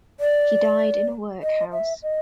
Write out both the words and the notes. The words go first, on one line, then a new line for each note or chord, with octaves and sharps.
He died in a workhouse.
D5
D#5
E5
D#5